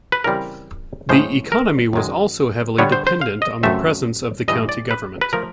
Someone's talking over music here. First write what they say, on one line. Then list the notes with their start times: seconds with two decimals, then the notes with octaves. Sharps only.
The economy was also heavily dependent on the presence of the county government.
0.12 B4
0.24 C#3 E3 G3 C4 A#4
1.09 A2 F3 G#3 C#4 C5
1.52 A#4
1.93 F#2 D#3 G#3
2.78 D3 G3 B3 D4 C#5
2.92 C5
3.07 C5
3.21 F5
3.42 D#5
3.63 F#2 C#3 F3 A3 C4 E5
4.48 G2 E3 A3 D#5
4.69 D5
4.91 B4
5.21 B4
5.33 F3 A3 A#4